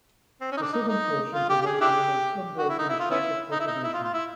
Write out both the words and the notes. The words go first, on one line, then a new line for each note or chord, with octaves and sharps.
The southern portion presents an almost unbroken sheet of cultivation.
C4
C#4
D#4
D4
D#4
D#4
F4
G4
G4
G#4
D4 E4 G4
F#4
E4
D#4
E4
F4
B3 C#4 E4
D#4
E4
D#4
E4
F4
F4
E4